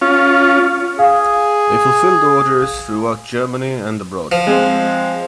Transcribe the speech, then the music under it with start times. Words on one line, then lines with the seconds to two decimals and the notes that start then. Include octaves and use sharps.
They fulfilled orders throughout Germany and abroad.
0.02 C#4 F4
0.99 G#4 F5
4.32 F3
4.47 G#3 C4